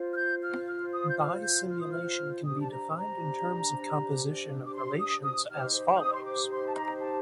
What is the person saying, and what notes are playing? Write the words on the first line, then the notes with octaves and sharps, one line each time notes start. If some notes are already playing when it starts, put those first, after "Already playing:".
Bisimulation can be defined in terms of composition of relations as follows.
Already playing: F4 C5
F6
G6
F6
F6
D#6
G6
F6
G6
F6
D#6
F6
D4 G4 C5 D#6
A5
A#5
A#5
D6
C6
D#6
D#6
D#4 G4 C5 F6
F6
D#6
C6
D6
C6
A5
A#5
A5